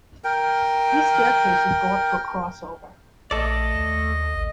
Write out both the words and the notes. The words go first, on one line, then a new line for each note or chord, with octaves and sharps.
These staircases go up to a crossover.
A#4 G5
A#1 A3 A4 D5 D#5
D#2
A1